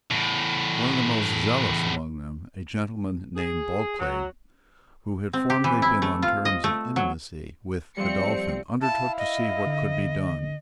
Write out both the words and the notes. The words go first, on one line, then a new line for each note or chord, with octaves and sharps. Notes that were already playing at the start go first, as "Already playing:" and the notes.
One of the most zealous among them, a gentleman named Bulkeley, who had formerly been on terms of intimacy with Godolphin, undertook to see what could be done.
E2 A2
G#4
F#3
C4
G4
E3
E4
A3
F4
D#5
A3
F#3
F3 G3 A3 C4 C#7
E4 F5 A5
D#5
D3